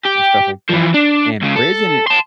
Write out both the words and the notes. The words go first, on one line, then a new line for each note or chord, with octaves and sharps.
And stuff like that and prison i
G4
E3 F3
D4
C#2 C#3
A4
A5 C6